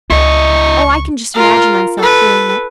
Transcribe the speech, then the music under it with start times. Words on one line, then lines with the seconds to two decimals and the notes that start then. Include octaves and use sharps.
Oh, I can just imagine myself doing it.
0.10 C#2 E4 D#5 C#6
1.34 F4 A#4
1.98 A4 B4